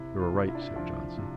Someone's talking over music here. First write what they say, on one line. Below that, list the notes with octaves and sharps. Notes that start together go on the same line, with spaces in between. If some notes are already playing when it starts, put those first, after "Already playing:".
"You are right," said Johnson.
Already playing: C3 E4
F4
C3
E4
D4
E4
F3 D4
C3